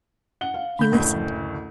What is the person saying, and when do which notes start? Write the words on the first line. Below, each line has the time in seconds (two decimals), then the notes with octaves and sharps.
He listened.
0.41 F#5 G7
0.54 F5
0.79 D3 B5 G6
0.92 F#1 D2 A2